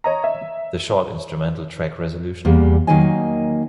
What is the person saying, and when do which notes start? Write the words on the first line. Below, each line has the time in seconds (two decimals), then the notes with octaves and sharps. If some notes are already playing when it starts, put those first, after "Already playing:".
The short instrumental track Resolution?
0.04 C#5 D#5 A#5
0.24 E5
2.45 E2 G3 A#3
2.87 D#3 F#3 A#3 D#4 D#5 G#5